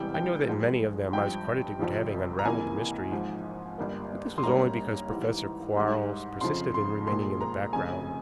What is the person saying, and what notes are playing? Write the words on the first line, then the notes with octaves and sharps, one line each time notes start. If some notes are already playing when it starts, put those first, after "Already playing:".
I know that in many of them I was credited with having unraveled the mystery, but this was only because Professor Quarles persisted in remaining in the background.
Already playing: E1 E2 C3 E3 G3 G5
G5
G2 F3 G#3
G#1 G2 F3 G5
G1 F2 C3 F3
A#5
C#2 C3 E3 A#3 G#5
G#1 G#2 F3
G1 G2 G3 A#3
C6
G#1 G2 G3 A#3 C#4 A#5
G#1 G#2 E3 G3
G#1 G#2 G3
F2 C#3 F3 C6
C6
A#1 A#2 G#3 C6
A#5
F1 F2 C#3 G#5